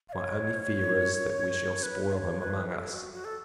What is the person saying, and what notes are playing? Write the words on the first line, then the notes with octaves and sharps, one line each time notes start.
My only fear is, that we shall spoil him among us.
F5
C#5
B4
F5
C#5
B4
B4
A4
F#4
F#4
A4